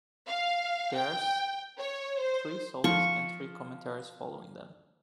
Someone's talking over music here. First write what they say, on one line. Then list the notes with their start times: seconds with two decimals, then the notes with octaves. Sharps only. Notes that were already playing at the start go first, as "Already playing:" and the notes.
There are three solos and three commentaries following them.
0.29 F5
0.94 G5
1.78 C#5
2.21 C5
2.84 F3 C#6